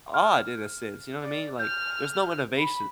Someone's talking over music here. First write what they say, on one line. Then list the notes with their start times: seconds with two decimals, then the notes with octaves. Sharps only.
odd in a sense. You know what I mean? Like, there's no innovation.
0.14 F6
1.22 D5
1.59 F6 G6
2.58 B5